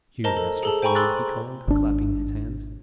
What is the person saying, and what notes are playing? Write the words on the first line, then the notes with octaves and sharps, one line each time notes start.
"Here, Master Ford," he called, clapping his hands.
A#4 C5 D#5 A5 A#5
A4
G#4 A4 A5
C5 G5 G#5 A#5 B5 C#6
B5 C6 D6 E6 F#6 A6
G#1 D4